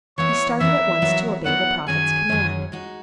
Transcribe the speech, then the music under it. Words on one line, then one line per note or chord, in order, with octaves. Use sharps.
He started at once to obey the prophet's command.
E3 B3 E4 A#4 C#5
E3 B3 E4 A#4 E5
F#3 B3 E4 A#4 C#5
F#3 B3 E4 A#4 C#5 F#5
F#2 D#3 F#3 C#4 G#4 G#5
F#2 D#3 F#3 C#4 G#4
G#3 D#4 F#4